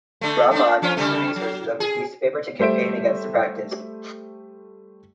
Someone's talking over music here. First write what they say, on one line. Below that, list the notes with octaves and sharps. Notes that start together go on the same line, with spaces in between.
Rahman used the resources of his newspaper to campaign against the practice.
D3 A3
A3 D4
F3 C#4 F4
C#3 G3 A3
F#3
G#4
G3 A3 C5 E5 D7